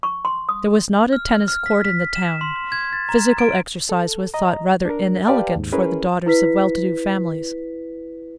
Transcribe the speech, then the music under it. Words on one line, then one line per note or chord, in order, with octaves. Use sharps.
There was not a tennis court in the town; physical exercise was thought rather inelegant for the daughters of well-to-do families.
C#6
C6
D#6
F6
F6
B6
B6
E7
C6
G#6
A6
A#5
D7
A4
D#5 A#5
D4 A#4
G4 B4 D5 F5 G5 A5
D#2 G#2
C#4 E4 G#4 A#4 B4
E4 B4 B6